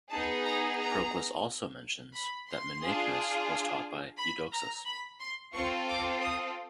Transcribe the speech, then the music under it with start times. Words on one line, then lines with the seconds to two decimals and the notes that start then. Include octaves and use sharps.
Proclus also mentions that Menaechmus was taught by Eudoxus.
0.10 B3 D#4 G#4 A5
0.45 A#5
0.78 A#5
2.14 B5
2.49 C6
2.82 D4 F4 G#4
4.18 B5
4.52 A#5
4.86 B5
5.20 C6
5.54 C4 F4 A4 C#6
5.88 D6
6.21 D#6